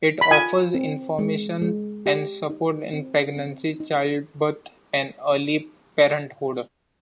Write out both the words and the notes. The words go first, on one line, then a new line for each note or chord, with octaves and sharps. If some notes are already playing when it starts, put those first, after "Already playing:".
It offers information and support in pregnancy, childbirth and early parenthood.
B5
F4 G#5
C4
G#3
G#3
G4
D#4
C4
C4
D#4